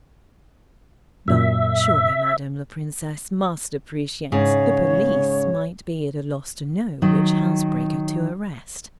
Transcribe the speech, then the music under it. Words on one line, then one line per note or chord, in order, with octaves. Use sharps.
"But surely madame la princesse must appreciate the police might be at a loss to know which housebreaker to arrest."
F#2 A#2 E5
G#2 C#3 C#5
D#3 F#3